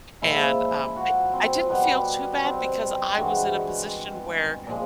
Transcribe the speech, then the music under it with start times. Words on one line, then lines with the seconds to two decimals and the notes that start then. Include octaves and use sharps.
And, um, I I didn't feel too bad because I was in a position where,
0.22 A#2 F3 G#3 E4
0.96 F#4
1.33 C4
1.70 B2 G3 B3
2.44 C4
3.18 G2 E3 G#3 F#4
4.67 A#2 F3 G#3